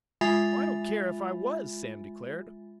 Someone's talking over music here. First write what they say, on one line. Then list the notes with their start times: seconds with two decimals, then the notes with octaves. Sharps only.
"I don't care if I was," Sam declared.
0.21 G#3 F4 E5 G#5 B5 A6